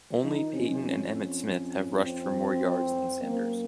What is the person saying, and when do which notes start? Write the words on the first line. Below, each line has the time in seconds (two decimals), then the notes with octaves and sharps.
Only Payton and Emmitt Smith have rushed for more yards than Sanders.
0.22 F3 D#4
0.37 D#3
0.52 C3 C#4
0.68 F#2
0.82 F2
2.02 C4
3.22 F#2 A#3